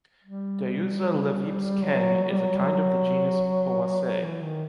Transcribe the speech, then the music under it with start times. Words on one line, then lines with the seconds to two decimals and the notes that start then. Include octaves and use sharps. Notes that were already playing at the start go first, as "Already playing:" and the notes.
Deyeuxia levipes Keng is a kind of the genus Poaceae.
0.24 G3
1.83 F#3
2.23 F#3
2.31 G3
2.40 F#3
2.56 G3
2.63 F#3
4.23 E3
4.42 D#3